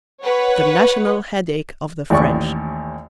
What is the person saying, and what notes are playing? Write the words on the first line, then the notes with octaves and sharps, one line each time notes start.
The national headache of the French.
B4 C#5 F#5
A1 D#2 D5 C#6